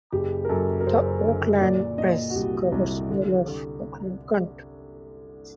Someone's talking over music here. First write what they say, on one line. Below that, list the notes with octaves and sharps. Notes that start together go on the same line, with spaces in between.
"The Oakland Press" covers all of Oakland County.
F#1 G4
A#4
F#2 A4
A#4
F#1 C5
D3
A#2 D5
A#2 D#5
F#4
C2 G4
C2
D3
D3